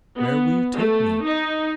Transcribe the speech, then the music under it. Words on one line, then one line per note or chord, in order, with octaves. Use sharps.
"Where will you take me?"
B3
A3
D#4